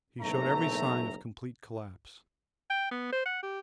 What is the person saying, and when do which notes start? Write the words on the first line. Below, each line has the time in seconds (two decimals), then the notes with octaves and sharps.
He showed every sign of complete collapse.
0.21 F#1 B1 A3 E5 A#5
2.70 G5
2.91 B3
3.13 C5
3.25 F#5
3.43 G4